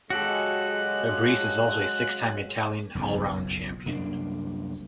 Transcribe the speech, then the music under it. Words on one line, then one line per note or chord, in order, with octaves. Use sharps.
Fabris is also a six-time Italian Allround Champion.
C#3 F#3 G#3 F#4 G4 A4 F#6
F#1 B1 F2
C2 F#2 A#3 D4